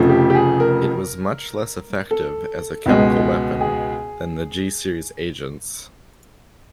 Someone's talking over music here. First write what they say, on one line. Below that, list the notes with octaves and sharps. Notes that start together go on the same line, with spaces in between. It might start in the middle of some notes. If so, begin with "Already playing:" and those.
It was much less effective as a chemical weapon than the G series agents.
Already playing: F1 F2 C#3 F3 A3
G4
G4
G#4
A#4
A4
C#2 B2 G#3
G#4